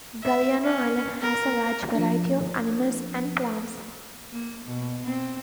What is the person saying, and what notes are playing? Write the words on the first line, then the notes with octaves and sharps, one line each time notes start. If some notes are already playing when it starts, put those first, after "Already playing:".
Galiano Island has a large variety of animals and plants.
E5
C#4
A#4
F3 D4
A#3
B2
C4